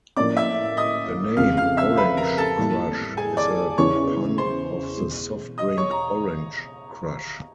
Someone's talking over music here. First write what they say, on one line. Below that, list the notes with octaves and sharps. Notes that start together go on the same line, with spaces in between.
The name Orange Krush is a pun of the soft drink Orange Crush.
A2 F3 A#3 C#4 D5 D6
E5 E6
D#5 D#6
F1 F2 C#3 F5 F6
F5 F6
E5 E6
B4 B5
A#4 A#5
A4 A5
A2 E3 G3 A#3
G#4 G#5
D5 D6
E2 C#3 E3 C#5 C#6
C5 C6
E2 B2 G#3
D#5 D#6
C#5 C#6
A#5